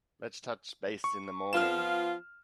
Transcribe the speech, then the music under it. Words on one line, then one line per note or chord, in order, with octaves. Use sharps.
Let's touch base in the morning.
C#6
F3 B3 F4 F6 E7